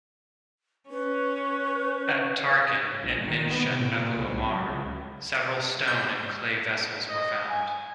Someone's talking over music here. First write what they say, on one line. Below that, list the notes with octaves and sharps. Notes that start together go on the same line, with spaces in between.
At Tarkhan and Minshat Abu Omar, several stone- and clay vessels were found.
C#4 B4
A#1
G1
D#3
B3
C3
A2
A#2
C#2
C2
F#3
C#2
G6
D#5
G#5